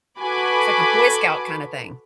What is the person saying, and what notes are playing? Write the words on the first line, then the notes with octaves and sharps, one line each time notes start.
It's like a Boy Scout kinda thing.
F#4 A4 B4 G#5 B5 D6